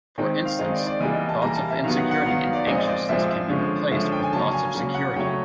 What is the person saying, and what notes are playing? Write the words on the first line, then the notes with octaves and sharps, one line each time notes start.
For instance, thoughts of insecurity and anxiousness can be replaced with thoughts of security.
D#3 G#3 C4 G5
F5
D#3 G#3 C4 D#5
D5
D5
E3 G3 A#3 D#5
D#5
A5
E3 G3 A#3 A#5
A5
E5
D#3 F#3 B3 F5
F#5
F#5
D#3 F#3 B3 F5
F5
D5
A#2 F3 G#3 C4 D#5
D#5
D5
A#2 F3 G#3 C4 E5
E5
D3 F3 G#3 C#4
D3 F3 G#3 C#4 E5
G5
G#5
C#3 F#3 A#3 C#4 A5
G#5
C#3 F#3 A#3 C#4
F#5
C#3 F#3 A3 C#4 G5